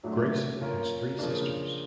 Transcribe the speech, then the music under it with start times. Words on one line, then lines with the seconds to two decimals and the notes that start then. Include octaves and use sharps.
Grayson has three sisters.
0.04 A2 F#3 A3 D4
0.61 A#3 C#4 F4 A#4
1.19 C#3 F3 A#3 D4